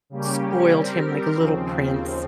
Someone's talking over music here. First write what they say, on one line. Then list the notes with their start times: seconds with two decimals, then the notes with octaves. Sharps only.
spoiled him like a little prince.
0.10 C#3 G3 A#3 C#4 G4
0.73 G3 C4 G4 A#4
1.35 D#2 C#3 F3 C4